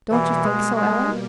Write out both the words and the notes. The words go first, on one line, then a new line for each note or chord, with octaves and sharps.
"Don't you think so, Ellen?"
B2 E3 G3 A#3
G#3
G#3